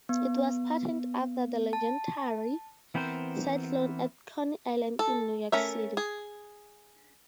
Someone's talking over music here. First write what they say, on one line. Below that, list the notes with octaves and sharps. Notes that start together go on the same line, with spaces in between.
It was patterned after the legendary Cyclone at Coney Island in New York City.
B3
A5
E3 B3 C4 A#4 C5
A4
A3 C#4 A#4 E5
G#4